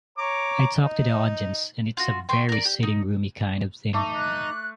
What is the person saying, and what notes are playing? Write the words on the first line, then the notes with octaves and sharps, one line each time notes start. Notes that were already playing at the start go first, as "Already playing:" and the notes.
I talk to the audience and it's a very sitting-roomy kind of thing.
C#5 A#5 D6
D#4
F4 F#4
G5 C6 C#6
A#4 D5
G4
D#4
A3 D#4 D6
F#6